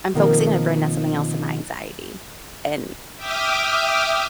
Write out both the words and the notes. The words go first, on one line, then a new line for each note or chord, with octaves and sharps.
I'm focusing my brain on something else than my anxiety, and
B2 D#3 F3 A#3 C4 A#4
E5 G5 D6 D#6 F6